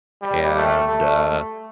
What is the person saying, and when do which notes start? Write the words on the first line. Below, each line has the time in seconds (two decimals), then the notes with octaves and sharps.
and, uh,
0.22 G3
0.56 A3
0.88 A3